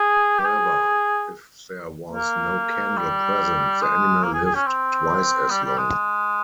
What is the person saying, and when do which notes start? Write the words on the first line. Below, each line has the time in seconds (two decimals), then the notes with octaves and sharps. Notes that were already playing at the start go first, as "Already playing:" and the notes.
However, if there was no candle present the animal lived twice as long.
Already playing: G#4
0.39 G4
0.45 G#4
2.12 A#3
2.97 G3
3.82 G#3
4.23 A#3
4.33 G#4
4.44 G#4
4.55 C#4
4.66 C4
5.50 G3
5.64 G3
5.78 G#3